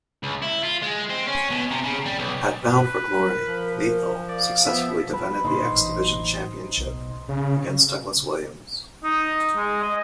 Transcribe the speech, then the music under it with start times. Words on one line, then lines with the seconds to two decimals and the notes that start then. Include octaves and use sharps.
At Bound for Glory, Lethal successfully defended the X Division Championship against Douglas Williams.
0.23 C#2
0.42 E4
0.63 F4
0.82 G#3
1.10 C4
1.28 C#4
1.51 B2
1.71 C3
1.84 C#3
2.06 G3
2.19 B1
2.72 B4
3.11 A#4
3.47 F3
4.28 D5 F5
4.65 F3 B3 E5
5.13 G3 B4
5.44 A#2 D3 D#4 C5
5.71 A1
6.77 B1
7.29 C#3
9.04 D#4
9.57 G#3
9.83 D#5